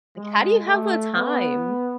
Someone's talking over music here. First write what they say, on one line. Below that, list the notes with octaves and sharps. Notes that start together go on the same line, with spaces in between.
Like, how do you have the time?
G#3
A3
B3